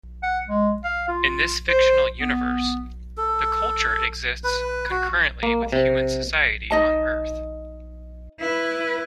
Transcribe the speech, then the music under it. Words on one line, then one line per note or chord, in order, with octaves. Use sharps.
In this fictional universe, the Culture exists concurrently with human society on Earth.
F#5
G#3
F5
F4
C5
B3
A4
B4
F#4
A#3
C3
D#4 D#5 A5
E4 B4